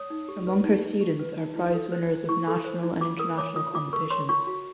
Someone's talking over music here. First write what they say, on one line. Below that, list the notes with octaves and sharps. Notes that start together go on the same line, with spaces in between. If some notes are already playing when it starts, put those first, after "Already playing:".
Among her students are prize winners of national and international competitions.
Already playing: C#5 D#6
D#4
G4
B4
D#4
D#4
G4
B4
D#4
E4
A4
C5
E4
E4 C#6
A4
C5
E4
F4 D6
A#4 D#6
C#5 D6
F4 D#6
F4 D6
A#4 C#6
C#5 C6
F4 C#6
F#4